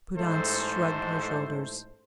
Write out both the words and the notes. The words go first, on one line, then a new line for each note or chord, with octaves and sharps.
Prudence shrugged her shoulders.
A1 G#2 A3 A4 C5